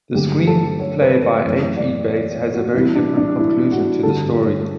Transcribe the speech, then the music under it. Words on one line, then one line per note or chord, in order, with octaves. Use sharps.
The screenplay by H. E. Bates has a very different conclusion to the story.
G2 D3 F#3 A3 G4
A4
C#5
B4
B4
F#2 E3 A3 C#5
D5
C#5
C#5
F#4
A2 E3 G3 E4
D4
D4
E4
F#4
G2 D3 G3 A4
C#5